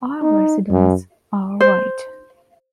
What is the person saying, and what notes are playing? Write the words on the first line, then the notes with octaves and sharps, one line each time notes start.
All residents are white.
D#4
F#2
C5